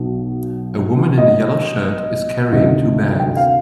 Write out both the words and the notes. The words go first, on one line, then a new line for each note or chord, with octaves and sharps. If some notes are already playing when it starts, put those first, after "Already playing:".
A woman in a yellow shirt is carrying two bags.
Already playing: B1 B2
D#5
D2 C3 D#3 D#5
G5
F5